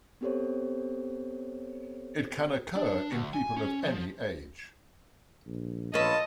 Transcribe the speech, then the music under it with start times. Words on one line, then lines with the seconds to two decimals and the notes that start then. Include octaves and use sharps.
It can occur in people of any age.
0.21 B3 C4 G4 A4 C5 C#5
2.76 D4
3.10 D2
3.34 G#5
3.57 C#4
3.84 F3
5.47 A#1
5.94 A#1 C#4 F4 A4 B4 D#5 A5